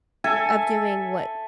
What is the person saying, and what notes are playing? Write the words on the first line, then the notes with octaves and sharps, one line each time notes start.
of doing what
A4 E5 G#5